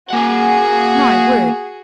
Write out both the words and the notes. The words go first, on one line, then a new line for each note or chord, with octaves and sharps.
My word!
A#3 F#4 G#4 F#5